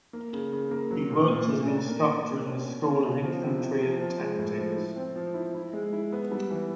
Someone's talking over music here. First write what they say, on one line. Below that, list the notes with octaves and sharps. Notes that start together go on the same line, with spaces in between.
He worked as an instructor in the School of Infantry and Tactics.
A#3
C#3
C#3
A#3
F#3
A#2
A#2
A3
D4
A#3
A#3
D4
C#4
B2
C#4
B2
F3
C3
C3
F3
F3
G#3
A2
F3
E4
C4
F3
E4
E4
G#3
E4
B3
G3
E3